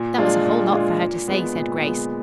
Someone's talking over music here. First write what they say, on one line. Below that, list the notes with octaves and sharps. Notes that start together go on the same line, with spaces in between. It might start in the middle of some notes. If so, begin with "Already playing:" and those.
"That was a whole lot for her to say," said Grace.
Already playing: A#2
G#3 D4 F4
A#2
G#3 D4 F4
A#2
G#3 B3
A#2
G#3 B3